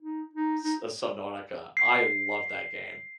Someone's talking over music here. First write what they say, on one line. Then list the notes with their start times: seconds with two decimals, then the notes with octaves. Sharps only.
s uh, Subnautica. I love that game.
0.01 D#4
0.34 D#4
0.64 D#4
1.77 C7